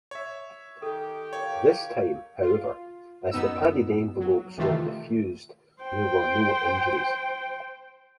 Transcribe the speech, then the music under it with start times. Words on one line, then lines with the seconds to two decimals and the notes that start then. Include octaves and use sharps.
This time, however, as the padded envelopes were defused, there were no injuries.
0.11 C#5 E5
0.82 D#3 G4 A4
1.33 A#3 A#4 C#5
2.42 F4
3.31 F#2 B3 D#4 E6
4.20 F#3
4.58 C3 D#3 E3 A3 F4
5.82 C5 G5